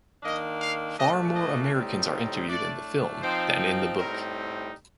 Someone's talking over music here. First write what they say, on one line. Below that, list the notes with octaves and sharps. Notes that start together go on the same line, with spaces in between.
Far more Americans are interviewed in the film than in the book.
D#3 A#3 D4 D#5
F5
A#2 A3 D4 D#5
D#5
A2 G3 C4 D#4
F5
A2 A3 D4 D5
F3 C4 D#4 C5
A2 G3 C4 D#4 A#4